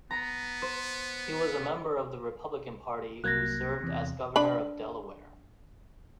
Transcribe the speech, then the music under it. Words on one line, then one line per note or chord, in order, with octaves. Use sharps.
He was a member of the Republican Party who served as Governor of Delaware.
B3 A#5
C5
C2 F#3 A#3 F#6 G#6 A#6
E2 C3
D4 B5